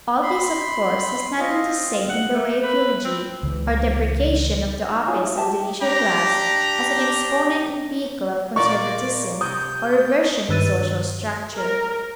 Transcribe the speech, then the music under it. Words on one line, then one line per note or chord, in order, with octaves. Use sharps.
All this, of course, has nothing to say in the way of eulogy or deprecation of the office of the leisure class as an exponent and vehicle of conservatism or reversion in social structure.
B5 C6
C4 F4 D#5
F#5
A3
B4
C4
C#2 E3
D#4
C#4 D#4 F4 G#4
E4
G4 C5 E5 A5
D4 G4 A#5
A#2 A#3 D5 C#6
C3 D#6 G6
G2 D#3 B4 E6 A6 D#7
A#4